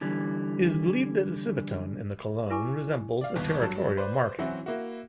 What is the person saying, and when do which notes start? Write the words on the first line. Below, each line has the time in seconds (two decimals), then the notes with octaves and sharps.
It is believed that the civetone in the cologne resembles a territorial marking.
0.01 D3 E3 G3
2.50 E4 B4 G#5 C#6 D6
3.21 D5 F5
3.35 G1 D#2 B2
3.60 G2 F#3 A5
3.97 B4 C5 D5
4.39 E3 F#3 C4 C#4 E4 F#4
4.66 A#3 E4 F#4